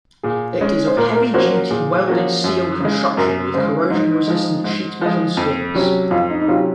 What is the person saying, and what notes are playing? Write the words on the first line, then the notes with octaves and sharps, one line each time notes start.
It is of heavy-duty welded steel construction with corrosion-resistant sheet metal skins.
A#2 G#4
G#3 C#4
C5
A#2 A#4
A#4
F3 A#3 C#4 F#4 C5
A#4
A#2 G#4
F3 A#3 C#4 F#4
F#2
C#3 G#3
F#2 A#4
C#3 G#3 C5
G#2 D#4
F3 G#3
G#2
F3 G#3
F2
C3 F#3 C#4
F2 F4
D#4
D#4
C3 F#3 C#4 F4